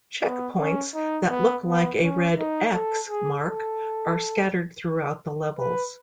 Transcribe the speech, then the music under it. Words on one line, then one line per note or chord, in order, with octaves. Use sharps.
Checkpoints that look like a red "X" mark are scattered throughout the levels.
B3
C#4
D#4
B3
B3
C#4
D#4
A4
G#4
A4
B4